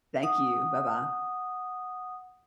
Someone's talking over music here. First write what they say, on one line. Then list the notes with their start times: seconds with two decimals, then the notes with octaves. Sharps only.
Thank you. Bye-bye.
0.23 F#5 D#6